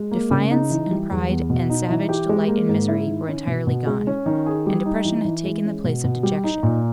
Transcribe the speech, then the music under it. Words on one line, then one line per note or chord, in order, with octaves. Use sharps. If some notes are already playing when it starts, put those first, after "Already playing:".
Defiance, and pride, and savage delight in misery, were entirely gone; and depression had taken the place of dejection.
Already playing: G#3
A#3
C#3
D#4
E3
G3
E2
B3
B2
D#4
E3
G4
G#3
A#3
G#2
E4
D#3
C#4
B2
B2
G#3
C#4
D#3
G#4
G3
D#4
E3
E3
G#3
C#4
B2
B2
G3
D#4
A#2